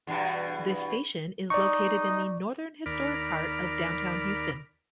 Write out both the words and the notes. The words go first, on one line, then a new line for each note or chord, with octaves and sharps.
This station is located in the Northern, Historic part of Downtown Houston.
E2 G2 B2
D#4 D5 D#5 C#6
D#2 A#4 D5 B5 F6